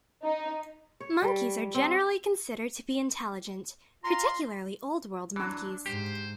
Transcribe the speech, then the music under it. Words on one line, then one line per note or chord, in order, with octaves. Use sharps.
Monkeys are generally considered to be intelligent, particularly Old World monkeys.
D#4
C#5
G3
C4
F4 A#5 C6
E3 F#3 D4
G#2 G4 C5